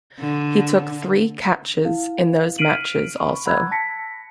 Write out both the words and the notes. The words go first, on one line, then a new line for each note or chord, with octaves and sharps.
He took three catches in those matches also.
D3
E4 F5
F6 B6 C7 D7 D#7 F#7
B5 C#6
F#5 A#5 B5 E6 F#6 G#6
A5 A#6 B6 C#7